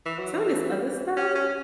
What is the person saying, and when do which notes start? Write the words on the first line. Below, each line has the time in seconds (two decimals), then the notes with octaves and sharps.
some of this other stuff
0.06 E3
0.19 F#3
0.34 E3
1.17 C#4
1.35 C#4